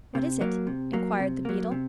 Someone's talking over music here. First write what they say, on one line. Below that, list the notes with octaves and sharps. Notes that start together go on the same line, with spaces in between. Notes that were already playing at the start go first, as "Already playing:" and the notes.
'What is it?' inquired the beadle.
C3
F#3 A#3
C3
F#3 A#3
C3
F#3 A#3
C3